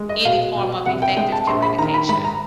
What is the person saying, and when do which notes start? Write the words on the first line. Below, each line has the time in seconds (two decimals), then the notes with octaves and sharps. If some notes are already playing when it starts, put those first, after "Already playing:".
any form of effective communication.
Already playing: G#3
0.09 D#5
0.25 B2 F5
0.55 B2
0.86 C2 F#5
1.02 G5
1.17 G#3 G5
1.32 A5
1.47 A#1 C6
1.62 B5
1.78 D#3 A#5
1.94 B5
2.09 G#2 B5
2.25 A#5